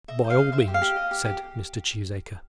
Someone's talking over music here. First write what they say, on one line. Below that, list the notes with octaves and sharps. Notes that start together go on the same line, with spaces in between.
"By all means," said Mr. Cheesacre.
D#5 E5
C5
F5
D#5
C5 E5
G4
F5
G4
D#5
G4
G4